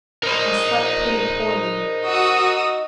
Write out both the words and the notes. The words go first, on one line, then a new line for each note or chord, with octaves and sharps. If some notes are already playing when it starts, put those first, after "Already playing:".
I slept pretty poorly.
D#4 A#4 C5
F#4 D#6 E6